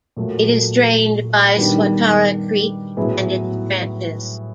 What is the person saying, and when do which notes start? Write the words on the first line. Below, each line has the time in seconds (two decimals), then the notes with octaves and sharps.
It is drained by Swatara Creek and its branches.
0.17 A#2 F#3 A3
1.57 D#3 G3 B3 D4 G4
2.97 A2 F#3 B3 E4 G#4